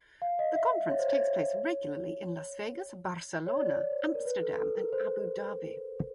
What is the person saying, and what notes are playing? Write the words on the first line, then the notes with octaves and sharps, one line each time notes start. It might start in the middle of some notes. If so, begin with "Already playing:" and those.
The conference takes place regularly in Las Vegas, Barcelona, Amsterdam, Abu Dhabi.
F5
D#5
E5
C#5
C5
C#5
C#5
D5
C5
A#4
B4
A4
A4
A#4
C5